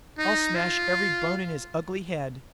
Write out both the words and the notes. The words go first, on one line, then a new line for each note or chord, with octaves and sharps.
"I'll smash every bone in his ugly head."
D#4
F4